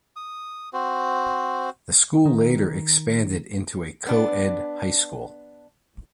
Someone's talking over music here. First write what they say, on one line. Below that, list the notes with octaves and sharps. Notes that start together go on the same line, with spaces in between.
The school later expanded into a co-ed high school.
D#6
C4 F#4 C5
D#3
B3 D4